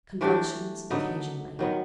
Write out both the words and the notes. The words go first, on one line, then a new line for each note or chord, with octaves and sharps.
Convulsions occasionally.
E3 A3 D4 G4
D3 F#3 B3 D#4
D#3 F#3 B3